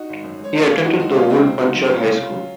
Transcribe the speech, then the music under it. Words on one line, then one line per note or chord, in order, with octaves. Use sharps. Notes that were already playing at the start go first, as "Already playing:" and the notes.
He attended the old Punchard High School.
Already playing: D#4 F#4
G#1
F#2
G#3 C#5
F3 C5
A#4
G#1 F4 G#4
F#2 D#4 F#4
G#3 D#4 F#4
F3 C#4 F4
C#2 C4 D#4
C3
C#2 D#4 F#4
F#3
C#2 C#4 F4
C3
C#2
F#3